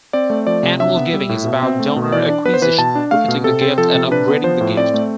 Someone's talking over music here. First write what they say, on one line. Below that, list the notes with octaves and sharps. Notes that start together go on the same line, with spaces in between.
Annual giving is about donor acquisition, repeating the gift and upgrading the gift.
C4 D5
A3
F3 D5
C3
D4 E5
B3
G3
A2
B2
C4
A3
B2
E3 D5
D4
B3 B4
C5
E3 B4
B2 A5
D4
A3 F5
B2
C3 A4
C4
F3 A4
C3
D4 B4
B3
F3 C5
A2
C4 D5
A3